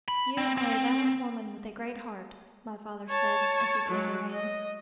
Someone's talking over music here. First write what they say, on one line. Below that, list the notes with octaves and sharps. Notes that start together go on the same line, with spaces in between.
"You are a valiant woman with a great heart," my father said, as he took her hand.
B5
C4
C4
C#5 A5
F#3 G#3
D#5